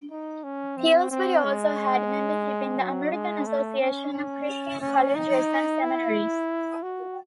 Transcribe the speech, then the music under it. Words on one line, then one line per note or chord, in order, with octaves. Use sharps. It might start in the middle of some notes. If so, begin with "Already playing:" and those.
Pillsbury also had membership in the American Association of Christian Colleges and Seminaries.
D#4
C#4
C4
C4
G#3
F#3
G#3
A3
C#4
C#4
C#4
D#4
E4
F#4